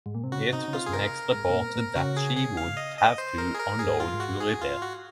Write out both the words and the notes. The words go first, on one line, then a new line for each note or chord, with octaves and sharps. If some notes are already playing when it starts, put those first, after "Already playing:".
It was next reported that she would have to unload to repair.
G#2
A#2
C3
C#3 F#4
C3 D#4
C#3
C3 F4
G#4
C3 A#4
G#2
C3
A#2
A#2
C#3 F#4
G#4
G#4
F5
D#5
D#5
C5
A#4
G#4
A#4
G#4
G#2
F4
G#2
F#4
G#4
F4
F#4